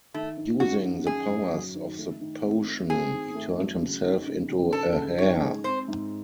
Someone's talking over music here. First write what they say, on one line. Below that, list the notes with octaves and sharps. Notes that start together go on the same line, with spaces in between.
Using the powers of the potion he turned himself into a hare.
D#3 A3
D#3
F#2 F#4
F#2
F#2 G#4
F#2
F#3
D#3
A3
D#3
C4
A3
C4 G#4
D#3
A3
F#3
C#3
D#4
C#3
C#3
C#3 A4
C#3
D#4 C#5
G#3
C4 C5
G#2